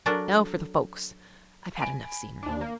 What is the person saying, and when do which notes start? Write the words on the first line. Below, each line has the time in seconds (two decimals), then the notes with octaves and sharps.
"Now for the folks--I've had enough scenery."
0.06 F#3 D4 A4 A#4 D5
1.79 G#5 B5 D7
2.43 D#2 D4
2.61 A#3